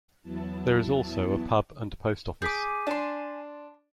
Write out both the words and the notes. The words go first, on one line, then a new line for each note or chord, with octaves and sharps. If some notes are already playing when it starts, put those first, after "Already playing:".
There is also a pub and a post office.
E2 F#3 B3 E4 A5
G#4 G#5 D6 G6 B6
D4 A5 C6